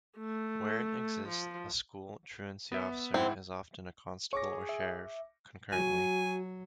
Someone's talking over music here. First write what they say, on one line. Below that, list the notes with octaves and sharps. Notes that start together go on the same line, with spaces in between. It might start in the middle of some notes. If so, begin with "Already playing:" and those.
Where it exists, a school truancy officer is often a constable or sheriff, concurrently.
A3
F3
B3 E5
G#2 C4 E4 F#5
G#4 C#5 C#6 D6 A#6
E5
F#3 F#4 G#5